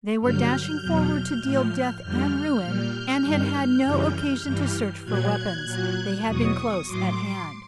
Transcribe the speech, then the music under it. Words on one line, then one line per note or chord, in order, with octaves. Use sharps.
They were dashing forward to deal death and ruin and had had no occasion to search for weapons--they had been close at hand.
G2 D3 F#3 F6 G6
E2 B2 F#3
A2 F3
F2 D3 G3 F6 G6
A#2 G3 F6 G6
G2 D#3 G3
F#2 C#3 E3 G3
G2 E3 G3
A#2 F#3 F#6 G#6
A#2 F#3
E2 B2 F#3 C#6 D#6
A2 F#3 C6 D6